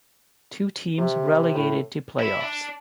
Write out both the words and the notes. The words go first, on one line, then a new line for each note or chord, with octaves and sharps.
Two teams relegated to Playoffs.
C3
A2
E4
D4